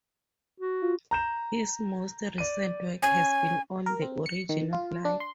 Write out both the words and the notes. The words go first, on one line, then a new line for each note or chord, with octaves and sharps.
His most recent work has been on the origin of life.
F#4
F4
A#5 G6 E7
D5 D#7
C#4 G#5
A#4
C4
C#7
D#3
F4
D4
C6